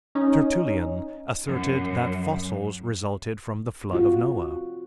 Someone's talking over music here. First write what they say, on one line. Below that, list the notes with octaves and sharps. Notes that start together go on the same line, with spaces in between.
Tertullian asserted that fossils resulted from the flood of Noah.
C#4 D#4
F#2
C4 F4 F#4